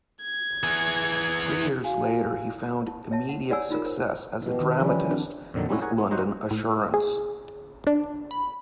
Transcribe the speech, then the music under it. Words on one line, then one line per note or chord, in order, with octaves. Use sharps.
Three years later he found immediate success as a dramatist with "London Assurance".
G#6
E3 G#4
F#4 F5 G#5
A5
C#5 E5 A5
F#5
E4 C#5 D5 F#5 G#5 E6
D#4 F4 G#4 A#4
A#4 C5 C#5
B2 E4 G4
D#3
E3 F3 G3 C#4 E4 A#4
C4 D4 F#4
F2 A#2 D3 D#3 F#3
G3 C4 C#4 E4 F#4
G#4 A#4 C#5 F#5 G#5
B3
F#3 D#4 F#4 C5 F#5
A2
G#4
D4
B5